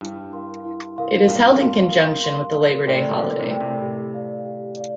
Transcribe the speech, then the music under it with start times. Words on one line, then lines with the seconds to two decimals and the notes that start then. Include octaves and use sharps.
It is held in conjunction with the Labor Day holiday.
0.01 G2 E4
0.33 A#4 F5 C6
0.65 E4
0.96 A#4 F5 C6
1.28 G2 A#2 A#4
1.60 F5 C6
1.92 A#4
2.24 F5 C6
2.56 A#4
2.86 A2 C3 D5 G5
3.19 A#2 D3 A#4
3.40 A2 C3
3.50 D5 G5
3.60 A2 C3
3.82 G4
4.14 D5 F5
4.46 G4
4.77 D5 F5